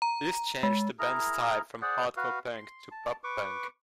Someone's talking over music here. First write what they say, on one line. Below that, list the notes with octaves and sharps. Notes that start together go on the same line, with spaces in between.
This changed the band's style from hardcore punk to pop punk.
A#5
G#3
E4 G#4 A#4 A#5
G#4 C5 D5 F#5
F#4 B4 F5
C6
A5
B4 C#6 D6